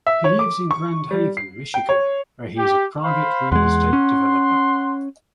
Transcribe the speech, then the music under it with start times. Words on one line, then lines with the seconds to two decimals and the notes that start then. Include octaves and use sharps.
He lives in Grand Haven, Michigan where he is a private real estate developer.
0.07 E5
0.24 C#5
0.39 D6
0.71 C#6
1.11 G3
1.37 C7
1.74 G5
1.89 C#5
2.58 G4
3.04 C5 F5 B5
3.52 E2 G#3 F#5 C6
3.93 C#4